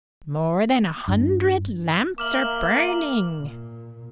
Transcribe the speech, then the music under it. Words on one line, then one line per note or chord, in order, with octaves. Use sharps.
More than a hundred lamps are burning.
G2
A#3 E5 A#5 D6 F6 F#7
A#2